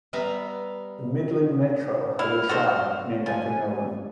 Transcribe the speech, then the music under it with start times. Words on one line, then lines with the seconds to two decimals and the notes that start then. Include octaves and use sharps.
The Midland Metro has a tram named after Nolan.
0.13 G3 B3 B4 E5 F5 A#5
2.19 E4 F6
2.49 F#4 A4 C5
3.26 F3 G#5